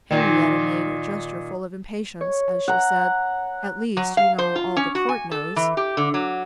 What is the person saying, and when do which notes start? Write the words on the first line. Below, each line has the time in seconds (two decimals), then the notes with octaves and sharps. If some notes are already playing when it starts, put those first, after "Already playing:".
Henrietta made a gesture full of impatience, as she said, "At least, you know all the court knows."
0.11 A#2 D#3
2.21 C#5
2.68 F#5 A#5
3.97 F#3
4.17 F5
4.38 C5
4.56 F4
4.77 C#4
4.95 F#4
5.09 G#5
5.31 A4
5.56 E3
5.77 G4
5.97 D3
6.14 F#3